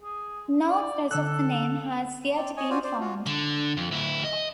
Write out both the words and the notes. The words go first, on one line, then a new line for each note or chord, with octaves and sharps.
No trace of the name has yet been found.
G#4
D5
D3 A4 E6 F#6
C4 D5
C#5 D#5 G#5
C#4 F4 F#4 C5 D5 G#5
C5 D5
F4 F#4
D3
F2
D2 E4
D#5